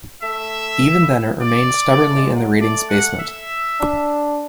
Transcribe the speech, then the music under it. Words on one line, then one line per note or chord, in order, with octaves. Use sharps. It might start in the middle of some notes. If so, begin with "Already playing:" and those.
Even then, it remained stubbornly in the ratings basement.
A3 E5
E4
D5
A3
G#3
F#3
A3 D5
F#5
E5
D4